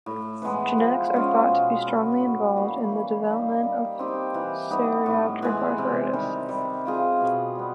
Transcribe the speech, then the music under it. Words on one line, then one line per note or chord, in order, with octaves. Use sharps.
Genetics are thought to be strongly involved in the development of psoriatic arthritis.
A2
E3 G#3 B3
F3
G#3 C#4 F4
B2
F#3 B3
A2
E3 G3 A#3
E3
G3 A#3 D#4
G3
C4 D#4 G4
E3
G3 B3 D#4
A2
E3 G#3
C3
D#3 G3
G3
C4 F4 G#4
B2
G3 B3